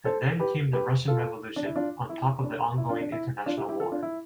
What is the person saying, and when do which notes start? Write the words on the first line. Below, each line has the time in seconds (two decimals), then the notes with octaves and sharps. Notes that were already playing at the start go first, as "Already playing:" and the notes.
And then came the Russian Revolution, on top of the ongoing international War.
0.05 A4 C5
0.39 G4 B4
0.73 G4 B4
1.08 F4 A4
1.56 D4
1.66 E4
1.76 D4 F4
2.10 E4
2.43 D4
2.78 E4
2.89 D4 F4
3.01 D4
3.12 E4
3.46 D4 F4
3.57 E4 G4
3.69 E4 G4
3.80 F4 A4
3.92 D4 F4
4.03 E4